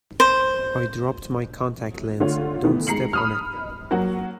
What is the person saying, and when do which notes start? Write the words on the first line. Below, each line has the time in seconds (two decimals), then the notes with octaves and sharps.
I dropped my contact lens, don't step on it!.
0.20 C5
2.20 D3 A3 F4 C#5
2.64 D#3 E3 A3 B3
2.87 G#3 A#5 C7 C#7 F#7
3.13 B5 D#6 F6
3.91 F#3 A#3 F#4